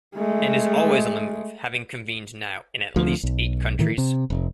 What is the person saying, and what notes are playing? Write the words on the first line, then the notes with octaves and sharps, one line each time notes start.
And is always on the move, having convened now in at least eight countries.
G#3 A3
D2 F3
B1
A2 D#3 E3
C3
F1